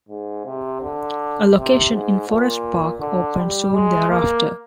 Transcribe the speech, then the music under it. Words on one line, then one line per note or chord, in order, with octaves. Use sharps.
A location in Forest Park opened soon thereafter.
G#2
C3
D3
C3
G#2
A#2
D3
G3
G#3
A#3